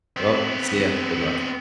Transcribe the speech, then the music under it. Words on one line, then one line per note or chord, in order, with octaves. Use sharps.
Well, see you. Good luck.
B3 C4